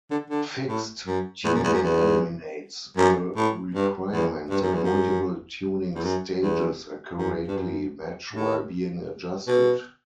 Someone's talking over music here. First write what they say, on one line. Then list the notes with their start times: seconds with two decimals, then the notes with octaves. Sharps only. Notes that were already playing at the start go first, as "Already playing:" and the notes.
Fixed tuning eliminates the requirement that multiple tuning stages accurately match while being adjusted.
0.11 D3
0.30 D3
0.68 A2
1.06 F#2
1.45 E2
1.54 F#2
1.63 E2
1.74 F#2
1.83 E2
2.97 F#2
3.36 A2
3.74 G2
4.12 E2
4.50 G2
4.61 F#2
4.73 E2
4.84 F#2
5.95 E2
6.03 F#2
6.41 E2
7.18 F#2
7.48 G2
7.57 F#2
8.33 A2
9.47 B2